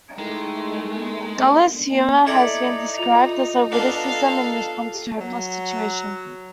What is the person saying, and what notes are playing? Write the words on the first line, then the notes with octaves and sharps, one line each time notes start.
Gallows humor has been described as a witticism in response to a hopeless situation.
D#3 G#3 A3 E4
D#4 E4 A4 D5 G#6
F4 F7
B3 D4 A4 F5
F#3